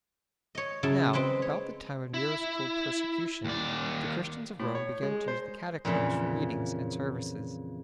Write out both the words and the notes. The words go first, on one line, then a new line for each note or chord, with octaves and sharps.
Now, about the time of Nero's cruel persecution, the Christians of Rome began to use the Catacombs for meetings and services.
C#5 D#5
C#3 F#3 E4 G#4 A5
G#3 C4 G#4 B4 D#5
C#5
E4
D#2 D5
A2
C#5
G#3
C5
F2 A#2 C#3 E3